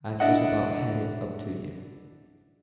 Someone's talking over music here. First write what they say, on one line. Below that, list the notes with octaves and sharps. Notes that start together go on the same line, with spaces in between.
I've just about had it up to here!
D4 E4 D#5 F#5